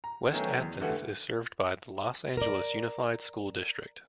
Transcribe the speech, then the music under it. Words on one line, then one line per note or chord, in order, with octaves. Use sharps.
West Athens is served by the Los Angeles Unified School District.
A#5
D#3 F#3 A3 B3 C#4
E2
G2 D3 E3 A3 G4 F#5
A#4 D5